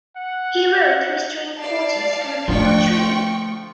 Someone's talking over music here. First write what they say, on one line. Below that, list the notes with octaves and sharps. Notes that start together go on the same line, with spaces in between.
He wrote three string quartets and a piano trio.
F#5
D5 F5 A5
D3 F3 A3 E4 F4 G5 C#6